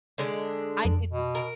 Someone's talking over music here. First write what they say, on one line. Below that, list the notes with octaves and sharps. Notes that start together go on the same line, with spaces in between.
I didn't
D3 G#3 D4
F2
B2
A#4